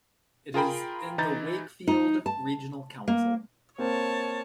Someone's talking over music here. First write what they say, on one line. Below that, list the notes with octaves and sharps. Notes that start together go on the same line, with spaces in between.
It is in the Wakefield Regional Council.
F4 G#4 A#4 G5 B5
E3 D#4 E4 A#5 G6 A6
D#4
A5
A#3
A#3 C4 C#5 A5